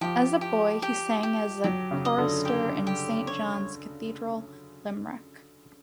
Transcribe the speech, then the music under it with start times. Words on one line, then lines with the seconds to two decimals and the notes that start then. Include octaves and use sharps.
As a boy, he sang as a chorister in Saint John's Cathedral, Limerick.
0.01 F3 G4
0.41 G4
0.82 G4
1.23 G4
1.64 F#3 G4
1.91 C#3
2.05 D#5
2.18 D3
2.45 G4
2.87 G4
3.27 C#5